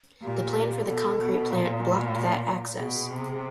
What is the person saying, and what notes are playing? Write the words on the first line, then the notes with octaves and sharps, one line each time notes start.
The plan for the concrete plant blocked that access.
A#2 G4
B2 A4
B2
A#2
B2 G#4
C3